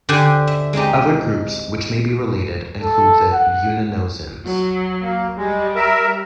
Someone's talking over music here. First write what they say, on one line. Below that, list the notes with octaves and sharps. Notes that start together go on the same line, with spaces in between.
Other groups which may be related include the yunnanozoans.
D3 G4 C5 G#5
E5
G#3 C4 D#4 G4
A4
F#5
F#3
A#3
G3 G#3
A#4 E5